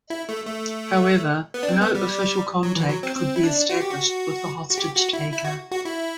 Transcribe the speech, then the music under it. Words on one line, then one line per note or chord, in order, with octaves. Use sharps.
However, no official contact could be established with the hostage taker.
E4
A3
A3
B3
D4
C4
B3
G3
F#3
E3
F#3
C4
C4
E4
D4
F#4
G4
F#4
F#4
G4
F#4
E4
E4
F#4
F#4
E4